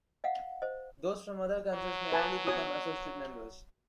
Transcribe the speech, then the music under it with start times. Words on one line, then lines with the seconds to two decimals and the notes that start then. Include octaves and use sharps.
Those from other countries may only become associate members.
0.24 D#5 F5 F#5
0.62 C5 D#5
1.74 F#3
2.12 B4 G#5 A5
2.47 F#4 C#5 D#6